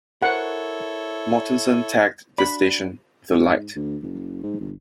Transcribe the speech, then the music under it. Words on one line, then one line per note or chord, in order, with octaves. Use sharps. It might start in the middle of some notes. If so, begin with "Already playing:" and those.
Mortenson tagged the station "The Light".
E4 A4 A#4 C5 C#5 F#5
D4 F#4 D5 B5
G#2
D2
F#1
G#2
G1